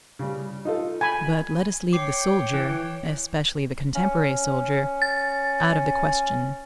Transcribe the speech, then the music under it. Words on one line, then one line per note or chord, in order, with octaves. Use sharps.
But let us leave the soldier, especially the contemporary soldier, out of the question.
C#3 G3
D#4 F4 A4
G#5 B5
C#5 G5 D6 C7
E3
C#4
A6